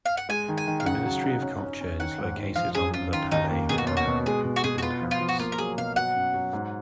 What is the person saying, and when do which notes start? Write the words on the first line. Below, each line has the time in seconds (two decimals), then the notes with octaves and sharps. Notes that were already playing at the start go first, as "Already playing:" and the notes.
The Ministry of Culture is located on the Palais Royal in Paris.
0.06 F5
0.17 F#5
0.29 G#3 G#5
0.48 D#3
0.58 G#5
0.67 D#3
0.80 F5
0.86 C#3 F#5
1.05 F#3
1.24 D#4
1.42 C#4
1.61 C#4
1.81 C#4
2.00 D#3 F#5
2.18 G#2
2.37 G#2
2.56 F3 F5
2.75 F#2 G#4
2.93 F#2 F4
3.13 D#3 F4
3.31 D#2 D#4
3.51 A#3
3.69 B2 G#4
3.78 F#4
3.87 C#4 F4
3.97 F#4
4.07 B2
4.26 G#3 G#4
4.45 B2
4.56 F#4
4.64 B2 G#4
4.78 F#4
4.82 B3 F4
5.01 F3
5.11 F4
5.21 F3
5.29 F#4
5.39 A#3 F4
5.52 A#4
5.58 F#3 G#4
5.78 B2 F5
5.96 F#3 F#5
6.15 F#2
6.34 F#3
6.53 G#2